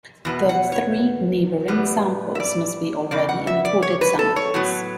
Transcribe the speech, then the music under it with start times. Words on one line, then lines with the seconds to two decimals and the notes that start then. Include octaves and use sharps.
The three neighboring samples must be already encoded samples.
0.25 E2 B2 B3
0.49 F#5
0.72 C#5
1.68 A2 G3 B3
2.35 E5
2.40 D5
3.11 E2 C#3 D5
3.29 F#5
3.47 E5
3.65 D5
3.82 C#5
4.01 B4
4.19 A4
4.36 C#5
4.54 A2 F#3 B3